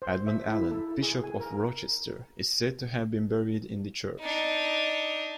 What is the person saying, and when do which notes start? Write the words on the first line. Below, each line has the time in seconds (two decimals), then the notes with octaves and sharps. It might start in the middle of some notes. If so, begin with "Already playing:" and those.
Edmund Allen, Bishop of Rochester, is said to have been buried in the church.
0.02 C5
0.27 E5
0.48 E4
0.70 A4
1.02 G#4
1.24 G#5
1.40 A#4
4.20 D4 D#4